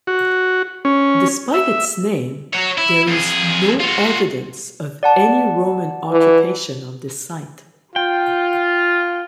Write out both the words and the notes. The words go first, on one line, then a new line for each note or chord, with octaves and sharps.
Despite its name there is no evidence of any Roman occupation on this site.
F#4
C#4
E5
F#4 C#5
E4
F2 G#4
F4 F#4
D5 F#5 A5
E3
F4 G5